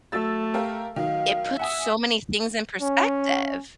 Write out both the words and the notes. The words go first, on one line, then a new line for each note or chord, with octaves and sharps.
it puts so many things in perspective.
F#3 A3 E6 A6
G4 A#4 F5
D#3 F#3 D#4 F5
E5 F#5 G#5 D#6
C#4